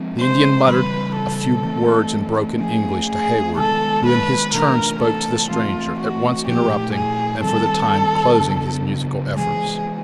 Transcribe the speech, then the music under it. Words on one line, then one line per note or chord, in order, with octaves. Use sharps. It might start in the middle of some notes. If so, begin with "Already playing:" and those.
The Indian muttered a few words in broken English to Heyward, who, in his turn, spoke to the stranger; at once interrupting, and, for the time, closing his musical efforts.
Already playing: F3 G#3 C4
C5
C#3 E3 G3 C4 B4
A4
E3 A3 C4
F3 A3 C#4 G#4
G#4
C3 D#3 G#3 B3 A4
B4
C3 E3 A3 D4 A#4
A4
E3 A3 C4 F4
F#4
A#2 F3 A3 G4
G#4
D#3 G3 C4 A4
C#3 F#3 B3 D4
C3 E3 G#3 G#4